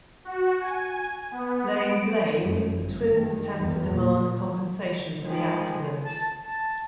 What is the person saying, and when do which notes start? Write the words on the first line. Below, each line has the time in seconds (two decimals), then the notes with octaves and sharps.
Laying blame, the twins attempt to demand compensation for the accident.
0.25 F#4
0.61 G#5
1.31 B3
1.83 D7
2.41 F#2
2.81 G1
3.12 D#3
3.61 E2
3.92 A#2
5.24 D#3 F3 G#3
6.05 A5
6.44 A5